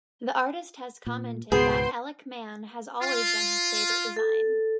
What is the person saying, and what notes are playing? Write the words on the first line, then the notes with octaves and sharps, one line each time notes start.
The artist has commented that Elec Man has always been his favorite design.
A#2
C#2 G#2 B2 B3 G#4 C5 G5 C6
F4
A4